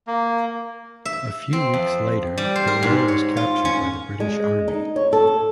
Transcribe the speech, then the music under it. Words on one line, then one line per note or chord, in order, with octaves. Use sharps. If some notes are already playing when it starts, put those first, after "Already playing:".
A few weeks later, the area was captured by the British Army.
A#3
E5
C4
F2
G3
C5
A#4
G#2
C#5
F4
C#4
G#3
D#4
C#5
A4